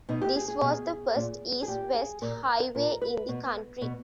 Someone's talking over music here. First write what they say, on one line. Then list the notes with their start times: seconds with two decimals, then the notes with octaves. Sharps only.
This was the first east-west highway in the country.
0.09 B2 D#4
0.22 G4
0.36 G#4
0.48 G#4
0.61 B2
1.15 A#2
1.63 G#4
1.68 A#2 G4
1.95 G#4
2.22 A#2 A#4
2.75 A#2 A#4
3.02 B4
3.28 B2
3.81 B2